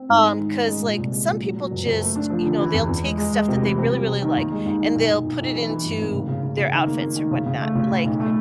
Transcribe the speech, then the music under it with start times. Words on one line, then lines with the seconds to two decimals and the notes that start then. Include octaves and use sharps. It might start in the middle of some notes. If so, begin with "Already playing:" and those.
Um, 'cause, like, some people just, you know, they'll take stuff that they really, really like, and they'll put it into their outfits or whatnot. Like,
Already playing: C4
0.09 G#2
0.23 G#3
0.38 D#3
0.54 C#4
0.67 G#3
0.83 A#2
0.98 C2
1.12 G#3
1.27 A#2
1.41 F#3
1.56 F#3
1.71 F#1
1.86 F#1
2.01 A3
2.16 D4
2.30 F3
2.44 D3
2.60 E3
2.74 E2
2.89 E2
3.03 G#3
3.18 G#3
3.33 G#3
3.48 C3
3.62 E3
3.78 C3
3.92 G3
4.07 C3
4.22 D#3
4.36 D#2
4.52 G#3
4.66 D#2
4.81 D#3
4.95 B1
5.10 B1
5.24 B1
5.40 B1
5.55 E3
5.70 E3
5.84 G2
5.98 G#1
6.13 C#3
6.28 C#3
6.43 C#3
6.58 C#3
6.72 D#3
6.86 A#3
7.02 A#3
7.16 D#3
7.31 C#3
7.46 C#3
7.61 A3
7.75 C#3
7.90 A2
8.04 B1
8.20 A3